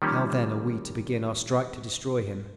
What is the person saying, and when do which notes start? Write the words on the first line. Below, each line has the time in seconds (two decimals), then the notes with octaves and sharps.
How then are we to begin our strike to destroy him?
0.02 D#3 F3 G3 A#3 C#4